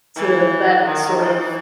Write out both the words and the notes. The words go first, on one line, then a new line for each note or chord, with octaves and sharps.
to that sort of
E3
D#3
E3